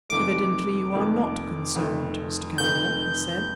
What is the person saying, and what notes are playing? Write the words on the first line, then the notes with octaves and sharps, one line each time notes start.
"Evidently you are not concerned, Mr. Cavanagh," he said.
F1 F2 D#3 A3 D6
F1 F2 D#3 A3
F1 F2 D#3 A3
F1 F2 D#3 A3 G6